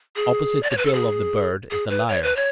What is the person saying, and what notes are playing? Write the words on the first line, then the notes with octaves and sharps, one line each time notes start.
Opposite the bill of the Bird is the Lyre.
G#4
D5
C#5
B4
A4
G#4
G#4
B4
C#5
B4
C#5